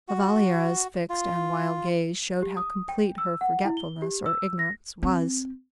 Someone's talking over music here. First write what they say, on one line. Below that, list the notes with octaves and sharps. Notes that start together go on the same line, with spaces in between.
La Valliere's fixed and wild gaze showed how complete her forgetfulness or ignorance was.
F#4
F4
G4
D#6
G5
E6
F#5
E4
G7
G4
E6
A#6
C4